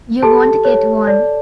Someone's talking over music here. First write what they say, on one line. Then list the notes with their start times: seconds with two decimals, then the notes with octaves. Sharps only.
You won't get one.
0.23 G4 A4 A5
0.65 C#5
1.07 D5